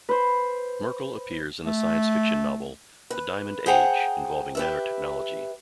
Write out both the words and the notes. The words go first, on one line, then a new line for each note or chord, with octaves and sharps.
Merkle appears in the science fiction novel "The Diamond Age", involving nanotechnology.
B4 C5
A3
B4
G#4 C5 F#5 G5 A#5
G4 B4 E5